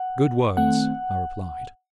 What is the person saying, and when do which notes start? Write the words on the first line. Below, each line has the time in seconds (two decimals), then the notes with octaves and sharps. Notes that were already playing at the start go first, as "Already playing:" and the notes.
'Good words,' I replied.
Already playing: F#5
0.57 D#3 A3 C4 F#5